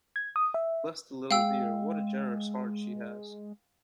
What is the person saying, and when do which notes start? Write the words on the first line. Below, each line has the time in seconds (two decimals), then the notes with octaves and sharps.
Bless the little dear, what a generous heart she has!
0.16 G#6
0.36 D#6
0.54 E5
1.31 G#3 F5 G5 E6